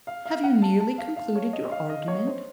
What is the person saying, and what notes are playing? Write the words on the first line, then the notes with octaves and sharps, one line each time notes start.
"Have you nearly concluded your argument?"
F5
F5
F#5
A5
A5
F5
F5
C#5
D#5
F5
D#5
C#5
C5